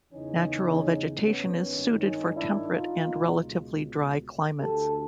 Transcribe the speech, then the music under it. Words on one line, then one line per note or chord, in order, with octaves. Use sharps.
Natural vegetation is suited for temperate and relatively dry climates.
E2 C#3 E3 C#4 D#4
B3 C#4
G#1 G2 D#3
C#4 D#4
D4 E4
D#4 F4
C#2 B2
D2 D3 G4 A4